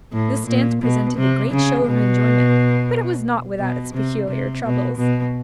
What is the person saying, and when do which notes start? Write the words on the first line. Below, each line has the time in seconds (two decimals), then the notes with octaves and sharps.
This dance presented a great show of enjoyment, but it was not without its peculiar troubles.
0.12 A2
0.47 A#2
0.82 B2
1.17 C3
1.52 C#3
1.86 B2
3.59 B2
3.94 C3
4.29 C3
4.64 B2
4.98 B2